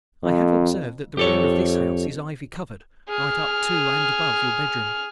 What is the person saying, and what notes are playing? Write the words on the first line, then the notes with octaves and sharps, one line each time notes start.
I have observed that the rear of this house is ivy-covered right up to and above your bedroom.
F2
F2 G4 A4 C#5
G#4 F6